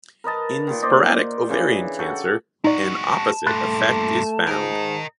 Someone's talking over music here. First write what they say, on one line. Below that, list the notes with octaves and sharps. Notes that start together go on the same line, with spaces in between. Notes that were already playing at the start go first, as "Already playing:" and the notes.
In sporadic ovarian cancer, an opposite effect is found.
A#4 B4 D#5 A5
A#2 D#3
C5 D5 D#5
C#3 E3 D4
F#4 A4 F#5 G5
G#3 D#4 F#4 D5
A5
G2 A#2 A3 B5 F#6 A6
G#2 A#4 D#5